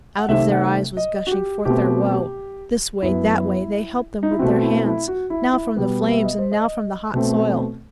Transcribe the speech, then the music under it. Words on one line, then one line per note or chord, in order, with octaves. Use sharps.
Out of their eyes was gushing forth their woe; This way, that way, they helped them with their hands Now from the flames and now from the hot soil.
F#5
C3 D#3 A3 C4 E5
F#5
D#5
F#4
G4
B2 A3 C4 G4
F#2 F#3 B3 E4
D#4
E4
B2 A3 C4 F#4
E4
E4
F#4
E4
E4
B2 G3 B3 B4
E5
D#5
C5
D#5
B2 A3 C4